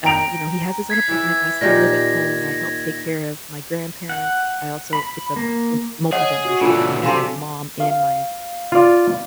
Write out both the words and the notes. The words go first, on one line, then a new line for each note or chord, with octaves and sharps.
uh, you know, he has his own apartment. I still live at home, and I help take care of my grandparents. I also it's a m multigenerational home here, so my mom and my
G5 A#5 D7 F7
G#6 B6 C7
E3 E4
A#2 D#3 G4 A#6
F#5
B5
A#3
G#4 C#5 D#5 F#5
F#4
A#2 E3 D4 F4 A4 C#5 G#5
C3 F#3 D4 A4 F5 G#5 C6
F5
F4 D5